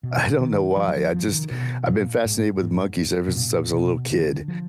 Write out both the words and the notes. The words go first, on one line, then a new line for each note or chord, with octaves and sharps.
I don't know why, I just I've been fascinated with monkeys ever since I was a little kid,
B2
D#3
F3
F#3
F3
F3
D3
D#3
B2
A#2
G#2
G#2
B2
A#2
B2
D3
F3